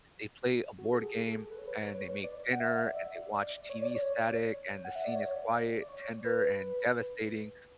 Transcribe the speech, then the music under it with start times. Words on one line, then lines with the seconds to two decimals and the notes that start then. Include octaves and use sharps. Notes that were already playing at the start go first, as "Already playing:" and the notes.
they play a board game, and they make dinner, and they watch TV static, and the scene is quiet, tender, and devastating.
0.78 F#4
0.93 A4
1.03 G#4
1.26 A4
1.51 B4
1.59 C#5
1.67 B4
1.87 C#5
1.95 B4
2.02 C#5
2.24 D5
2.53 F#5
2.60 E5
2.85 D5
2.97 E5
3.33 D5
3.69 C#5
3.82 D5
3.95 C#5
4.85 F#5
4.95 E5
5.05 D5
5.16 C#5
5.52 D5
5.81 D5
5.89 C#5
6.24 B4